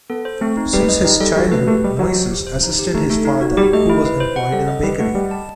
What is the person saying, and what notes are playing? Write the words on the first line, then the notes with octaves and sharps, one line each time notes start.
Since his childhood Moisis assisted his father who was employed in a bakery.
B3 A4
C5
A3 C4
D#4
G3 B4
D#5
G3 D#4
G3 A4
G3 F#4
A3 B4
A3 G4
G3 D#5
F#3 F#4
C5
G4
C5
D#4
G4
A3 D#4
A3 A4
D#4
F#4
G3 G4
A3 D#5
E4
B4
C5
F#5
G3 A4
D#5
G3 B4
A3 F#5
G3 D#5
A5